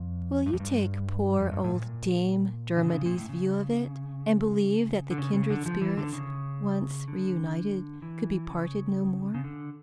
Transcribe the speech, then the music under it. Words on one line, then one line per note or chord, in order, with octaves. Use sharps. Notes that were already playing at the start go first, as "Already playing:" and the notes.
Will you take poor old Dame Dermody's view of it, and believe that the kindred spirits, once reunited, could be parted no more?
Already playing: F2
G2
F2
G2
F2
G2
A2
A#2
D3
C#3
D3
C#3
A#2
A2
C#3
D3
C#3
C#3
D3
F3
E3
D3
C#3
D3
E3
C#3
C#3
D3